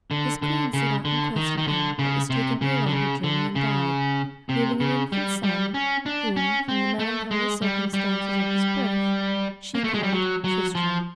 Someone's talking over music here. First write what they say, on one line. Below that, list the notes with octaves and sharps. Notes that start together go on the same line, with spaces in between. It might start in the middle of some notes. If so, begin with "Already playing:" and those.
His queen set out in quest of him, but was taken ill on her journey, and died, leaving an infant son, whom, from the melancholy circumstances of his birth, she called Tristram.
D3
D3
C#3
D3
D#3
D#3
D3
C#3
C3
C#3
D3
C#3
D3
C#3
C3
C#3
G3
G3
C#4
D4
C#4
C4
A3
G#3
G3
G3
A#3
A3
G#3
G3
F#3
F#3
F3